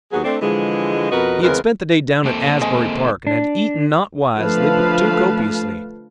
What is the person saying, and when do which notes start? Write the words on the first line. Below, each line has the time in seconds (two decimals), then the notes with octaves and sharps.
He had spent the day down at Asbury Park and had eaten not wisely but too copiously.
0.12 D#2 F#3 B3 F#4 G#4
0.24 A3 C4 D4
0.42 D3 E3 F3 G#3
1.11 F2 B2 F#4 A#4 B4 D#5
1.42 E2 C#3 G#3 C4 A#4 B4
2.25 A#3 C4 A4
2.61 G#3
3.27 D4
4.37 D3 F3 A3 B4 F5 A5